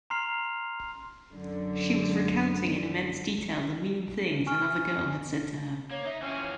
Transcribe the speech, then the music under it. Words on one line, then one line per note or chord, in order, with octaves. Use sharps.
She was recounting in immense detail the mean things another girl had said to her.
A#5 C6 F6 C7 F7
F#2 D3
G#5 C#6 F6
A#3 C#5
D#4 E5
E3 C4 C#4 F4 F6